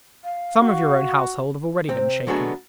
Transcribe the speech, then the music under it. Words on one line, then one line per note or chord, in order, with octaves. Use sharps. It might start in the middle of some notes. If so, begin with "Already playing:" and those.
Some of your own household have already been shaken.
F5
F#4
C3 C4
D3 F#3 G#3 A3 B3 D4